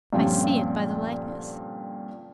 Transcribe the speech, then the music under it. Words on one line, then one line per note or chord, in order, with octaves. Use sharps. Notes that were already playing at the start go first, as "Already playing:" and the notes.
I see it by the likeness.
G2 A#2 D3 F3 C4 C#4